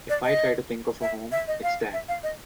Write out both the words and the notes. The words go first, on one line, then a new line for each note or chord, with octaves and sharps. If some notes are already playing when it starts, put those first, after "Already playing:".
If I try to think of a home, it's that.
D5
D#5
E5
E5
D#5
F5
E5
F5
D#5